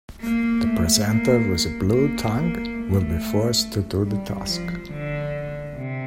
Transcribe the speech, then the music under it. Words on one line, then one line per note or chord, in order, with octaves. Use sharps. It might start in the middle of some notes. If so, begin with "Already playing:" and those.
The presenter with a blue tongue will be forced to do the task.
A#3
A3
A#3
A#3
A#3
A3
G3
F3
D3
C3